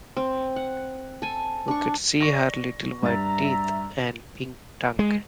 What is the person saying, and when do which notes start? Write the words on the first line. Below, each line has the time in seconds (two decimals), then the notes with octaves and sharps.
We could see her little white teeth and pink tongue.
0.17 C4
0.56 F#5
1.22 A4 G#5
1.68 D4 C#6
2.21 D5 C#6 A#6
3.03 G2 E5 A#5 A6
4.99 G#3